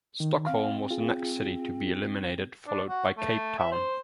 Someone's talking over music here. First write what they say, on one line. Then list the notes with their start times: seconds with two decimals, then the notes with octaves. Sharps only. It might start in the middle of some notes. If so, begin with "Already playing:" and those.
Stockholm was the next city to be eliminated followed by Cape Town.
0.20 D#3
0.47 C4 F5
0.91 F4 G#4
2.67 D4
2.88 F#4
3.17 A3
3.59 E5
3.72 C5